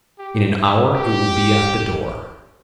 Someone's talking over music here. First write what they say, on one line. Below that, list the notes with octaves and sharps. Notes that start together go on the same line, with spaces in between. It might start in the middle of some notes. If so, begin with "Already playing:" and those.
"In an hour it will be at the door."
G4
E4
G4